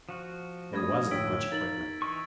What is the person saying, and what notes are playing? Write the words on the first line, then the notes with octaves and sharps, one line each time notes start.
There wasn't much equipment.
F3 F#4
A3 D4 B5 D#6 G#6 A#6
D2 A2 F4 C#5 G5 E6 B6 D7
D#4 A#4 A6 F#7
E3 D#4 C#6